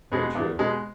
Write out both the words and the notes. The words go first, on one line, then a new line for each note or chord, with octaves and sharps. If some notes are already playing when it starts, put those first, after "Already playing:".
Very true.
B2 G#3
E2
B2 G#3